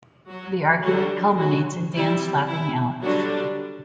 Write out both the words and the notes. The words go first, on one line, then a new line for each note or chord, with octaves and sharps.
The argument culminates in Dan slapping Alice.
F#3 F#4
D3 F#3 G3 D4 F#4
F#3 F#4
G3 C4 E4
E4
D3 F#3 G3 D4 F#4